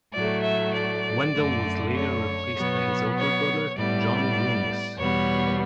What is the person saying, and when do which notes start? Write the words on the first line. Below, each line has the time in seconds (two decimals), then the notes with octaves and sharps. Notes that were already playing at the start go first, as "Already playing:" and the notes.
Wendell was later replaced by his older brother, John Brunious.
0.13 A2 F#3 A3 D5
0.43 E5
0.73 D5
1.34 F#2 D3 A3
1.95 C#5
2.56 B2 F#3 B3
3.16 C#5
3.76 A2 G3 B3 D5
4.98 E2 B2 G3 B3 C#5